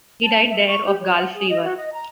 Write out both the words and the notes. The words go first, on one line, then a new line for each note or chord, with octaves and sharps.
He died there of gall fever.
A5
E5
C#6
G4
C#5
F#5
G#4
D#5
F#4
D#5
A#5